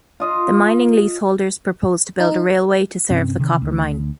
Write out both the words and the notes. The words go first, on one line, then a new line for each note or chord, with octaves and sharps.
The mining lease holders propose to build a railway to serve the copper mine.
F4 D#5 F5
D#4
G2 C3 C4 C#4
C3 D#3
D2